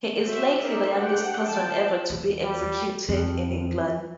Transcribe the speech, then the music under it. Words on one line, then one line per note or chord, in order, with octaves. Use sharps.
He is likely the youngest person ever to be executed in England.
C#4 F#4 C5 E5
D#4 G#4 A#4 C5 D5 E5
A3 D4 G4 F#5 G5
F3 G5 A5
E2
G3
F2